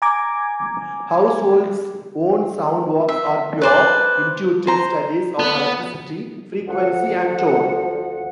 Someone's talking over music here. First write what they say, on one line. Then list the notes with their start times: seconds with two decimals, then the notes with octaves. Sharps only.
Hausswolff's own sound works are pure, intuitive studies of electricity, frequency and tone.
0.02 G#5 A#5 D6 G#6
3.09 E5
3.62 B4 C5 D5
4.67 C5 A#5
5.39 B3
6.68 D2 F3 F#5